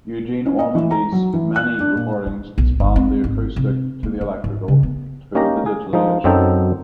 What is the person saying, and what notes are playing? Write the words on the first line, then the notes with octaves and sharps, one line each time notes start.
Eugene Ormandy's many recordings spanned the acoustic to the electrical to the digital age.
C#4
D#5
E3
A#5
F#3
E3
F#6
D4
A#2
E3
B1
G1
C4
G#1
C3
A#3
G#3
G#2
C#3
B3
A#3 C#4 D#4 G4 G5 A#5
G#4
F3 G#3 D#4
F#2 F#3 C4 D#4 A4 G5